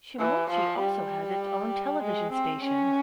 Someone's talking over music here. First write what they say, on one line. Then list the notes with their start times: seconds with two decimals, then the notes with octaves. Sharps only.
Shimoichi also has its own television station.
0.19 E3
0.50 F3
0.79 G3
2.02 G#3
2.33 C4
2.63 C#4